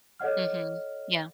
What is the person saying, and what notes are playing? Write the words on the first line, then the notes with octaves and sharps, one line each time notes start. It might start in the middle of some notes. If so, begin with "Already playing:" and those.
Mhm. Yeah.
A4 C#5 D#5 F#5 F6